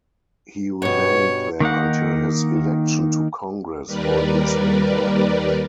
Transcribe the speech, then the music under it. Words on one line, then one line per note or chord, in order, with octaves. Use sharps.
He remained there until his election to Congress four years later.
G2 B2 C#5
D#3 A#3 D#4 F#5
D#2 G3 A#4 B4 D5